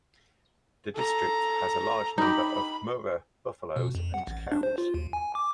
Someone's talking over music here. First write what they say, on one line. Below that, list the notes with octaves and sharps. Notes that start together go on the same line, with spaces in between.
The district has a large number of Murrah buffaloes and cows.
A4 A#5
D#4 G4 B5
B2
F2
F#5
A1
D4
C5
F4
D#2
G#5
D6